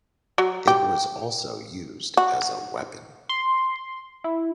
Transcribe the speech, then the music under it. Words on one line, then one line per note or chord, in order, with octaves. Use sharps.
It was also used as a weapon.
F#3
G4
F#4
C6
E4